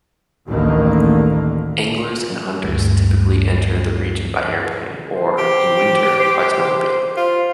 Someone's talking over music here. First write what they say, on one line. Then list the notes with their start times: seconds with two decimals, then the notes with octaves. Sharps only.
Anglers and hunters typically enter the region by airplane or, in winter, by snowmobile.
0.47 A1 D2 D3 D#3 A#3
2.63 D2 G2
5.15 C5
5.38 G4
6.20 C5
7.17 F4